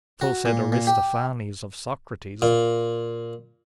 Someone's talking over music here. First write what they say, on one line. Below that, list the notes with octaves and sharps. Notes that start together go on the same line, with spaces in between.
'So said Aristophanes of Socrates.
F#4
A#2
A#2
G4
A#2